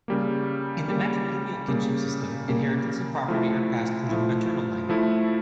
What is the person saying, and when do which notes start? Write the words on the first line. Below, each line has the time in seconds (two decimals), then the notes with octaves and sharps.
In the matrilineal kinship system, inheritance and property are passed through the maternal line.
0.08 C#3 G3 A#3
0.88 C#3 G3 A#3
1.68 C#3 G3 A#3
2.48 C#3 G3 A#3
3.28 F3 A3 E4
4.09 F3 A3 E4
4.89 F3 A3 E4